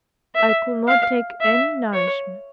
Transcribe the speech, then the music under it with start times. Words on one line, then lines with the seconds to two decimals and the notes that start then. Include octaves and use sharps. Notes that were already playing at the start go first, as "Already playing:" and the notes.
I could not take any nourishment.
0.35 E5
0.88 F5
1.41 E5
1.93 C#5